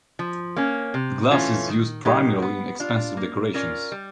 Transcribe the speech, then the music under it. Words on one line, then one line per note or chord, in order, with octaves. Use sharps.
The glass is used primarily in expensive decorations.
F3
A#3 C#4
C3
E3 A3 C#4 F4
D#3
F#3 A#3 D#4 G4
B3
D4 F4
A#3
C#4 F4 A#4 D5
G3